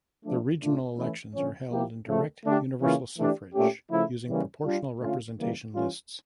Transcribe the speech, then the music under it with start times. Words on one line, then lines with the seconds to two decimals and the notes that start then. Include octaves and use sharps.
The regional elections are held in direct universal suffrage using proportional representation lists.
0.25 F3 A3 D4
0.60 A#2 A3 D4 F4
0.97 E3 A3 C#4 E4
1.34 D3 F3 C#4
1.71 F3 A#3 E4 G4
2.07 C#3 F3 A3
2.44 D3 A3 D4 G4
2.81 C#3 E3 A#3 C#4 F4
3.17 E3 A3 D4 G4
3.54 A#2 A3 C#4 G4
3.90 C#3 F3 A3 E4
4.28 C#3 E3 G3 A#3 C#4
4.64 G3 D4 F4
5.01 D3 A3 C#4 F4
5.38 C#3 E3 G3 A#3
5.74 E3 G3 C#4 F4